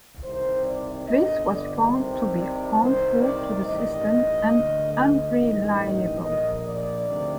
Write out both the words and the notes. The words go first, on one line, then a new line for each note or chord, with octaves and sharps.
This was found to be harmful to the system and unreliable.
C2 C3 D#3 C5
D5
G1 G2 D3 D#5
D5
C2 C3 D#3 C5
D5
C2 C3 D#3 C5
D5
A1 G2 D#3 D#5
D2 D3
D#5
A1 G2 D#3
A#1 A#2 D#5
D5
D2 C3 D#3